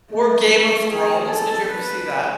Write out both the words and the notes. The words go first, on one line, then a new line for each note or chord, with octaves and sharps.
Or Game of Thrones? Did you ever see that?
A3
A3
G#4
A4
B4